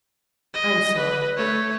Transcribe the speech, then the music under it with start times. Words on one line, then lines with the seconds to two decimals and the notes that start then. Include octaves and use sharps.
I'm sorry.
0.54 D#5
0.97 B4
1.37 A3 C#5